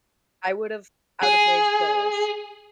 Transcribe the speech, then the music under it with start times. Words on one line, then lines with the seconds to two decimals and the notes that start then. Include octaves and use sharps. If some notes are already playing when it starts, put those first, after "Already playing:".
I would've I would've played the playlist.
1.23 G#4